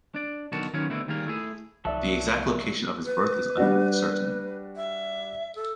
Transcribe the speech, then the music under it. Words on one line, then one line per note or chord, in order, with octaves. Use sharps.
The exact location of his birth is uncertain.
D4 D5
B1 D3 D#3 F#4 A#4 A5
D#3 F#3 A#3 B3 C#4
B2 D3 A3 C4 E4
D#3 G3 A#3 G#4 A#4
A3 E4 G#4
C2 F3 F#3 D#4 A4 D5 E5 A5
B4
G3 D4 F#4
E5
A4